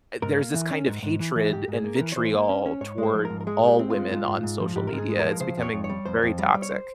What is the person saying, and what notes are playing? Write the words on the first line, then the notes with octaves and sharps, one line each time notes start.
eh, there's this kind of hatred and vitriol toward all women on social media, it's becoming very toxic.
G#2 A#4
A#3
E3
C#4
G#2
G#2
E3
E3
G#2 G4
G#2
G#4
A#3
E3 A#4
C#5
E3 C5
A#3
C#4
C#4
G#2 C#5
G#3
C5
F3
A#4
G#2
A#4
G#3 G#4
G#3 G4
C4
F4
G#3
G#2 F4
G#2
G#2
F3
G#2 G4
A#4
G#2
G#4
G#3
A#4
F3
C#3 C5
F2 C#5
F2
C#5
G3
F2 C5
F2
G3
G3
C#5
C5